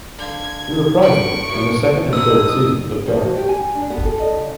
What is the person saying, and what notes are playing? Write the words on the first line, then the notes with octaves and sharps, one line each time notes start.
She reprised the role in the second and third seasons of "Dark".
D3 F5 G#6
F#2 D3 B4 C#6 D7
F#2 A2
B2 D3 D#3 D#6 E6
F3
F#4
G4
G#5
D4
B3
A4
D#5
C#3